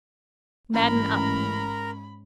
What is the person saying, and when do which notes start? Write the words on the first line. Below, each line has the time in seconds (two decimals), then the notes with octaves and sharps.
Madden up.
0.74 A1 G#2 C#4 A#4 A#5 B5